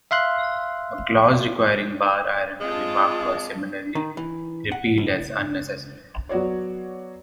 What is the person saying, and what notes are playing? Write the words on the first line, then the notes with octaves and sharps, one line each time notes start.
A clause requiring bar iron to be marked was similarly repealed as unnecessary.
E5 F5 C6 F#6
G#3 C4 F4 A5
D#3
E3
F#5
C#2
F#3 B3 F#4 C#5 D5